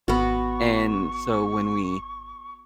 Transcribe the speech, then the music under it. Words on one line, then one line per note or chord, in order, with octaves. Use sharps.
And so, when we
G#1 B3 F#4 C#6